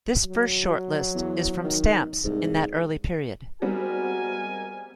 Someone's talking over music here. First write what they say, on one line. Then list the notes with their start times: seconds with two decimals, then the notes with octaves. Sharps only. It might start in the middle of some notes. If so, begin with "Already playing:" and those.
This first short list is from stamps in that early period.
0.24 F#3
1.15 E2
1.64 D#3
2.24 C2 G#2
3.62 G3 G#3 B3 C4 F#4 A#4 G#5